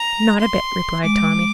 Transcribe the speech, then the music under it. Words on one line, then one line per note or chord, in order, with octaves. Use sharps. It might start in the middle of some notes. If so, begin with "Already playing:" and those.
"Not a bit," replied Tommy.
Already playing: A#5
C6
G#3 D6